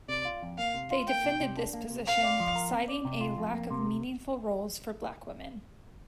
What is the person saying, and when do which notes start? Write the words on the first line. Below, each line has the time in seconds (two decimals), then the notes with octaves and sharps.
They defended this position, citing a lack of meaningful roles for black women.
0.09 C3 D5
0.25 F4
0.42 F2
0.58 A#3 F5
0.74 C3
0.91 F4
1.07 A#3 G5
1.24 C3
1.40 C3
1.57 D4
1.73 A#3
1.90 C3
2.06 C4 F5
2.23 D5
2.40 F3
2.55 A#4
2.72 C4
2.88 D5
3.05 C3
3.21 F4
3.38 F2
3.55 A#3
3.70 C3